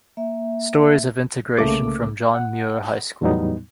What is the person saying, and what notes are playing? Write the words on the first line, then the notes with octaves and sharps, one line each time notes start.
Stories of Integration from John Muir High School.
A#3 E5
C2 C#3 A3 A#3 D6
F#5
E2 A2 F#3 G3 B3 D#4